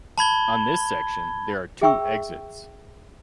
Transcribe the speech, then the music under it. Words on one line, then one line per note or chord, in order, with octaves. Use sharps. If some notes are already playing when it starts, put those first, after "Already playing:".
On this section there are two exits.
A5 B5 G#6 G7
G#4 E5 G5 B5 C#6 E6